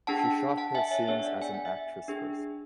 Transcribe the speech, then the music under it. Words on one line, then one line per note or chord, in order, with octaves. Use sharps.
She shot her scenes as an actress first.
D4 G#4 F#5 A5
F#5 A5
E5 G#5
C#5 E5
B3 D4 G#4 C#5 E5
D5 F#5
G#5
F#5
E5 G#5
D4 G#4